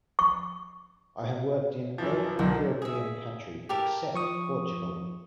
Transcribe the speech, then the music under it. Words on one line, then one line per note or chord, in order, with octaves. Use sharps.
I have worked in every European country except Portugal.
C#6
F#2 E3 F3
B1 D3 D#3 D4
G#4 E5
G4 A4 A#4
F3 C#6 D#6